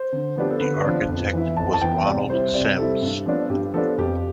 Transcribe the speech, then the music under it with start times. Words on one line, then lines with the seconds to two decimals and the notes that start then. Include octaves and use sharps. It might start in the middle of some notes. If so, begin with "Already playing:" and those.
The architect was Ronald Sims.
Already playing: C5
0.12 D3
0.36 F3 B3 D4 G4
0.51 A4
0.60 D3 B4
0.84 F3 B3 D4
1.09 F2
1.33 E3 B3 E4
1.57 F2 A5
1.74 A5
1.81 E3 B3 E4 G5
2.05 C3 D5
2.29 G3 C4 E4 C5
2.54 C3 D5
2.78 G3 C4 E4 A4
3.02 G2
3.26 F3 B3 D4
3.50 G2 G4
3.74 F3 B3 D4 A4
3.98 F2 G4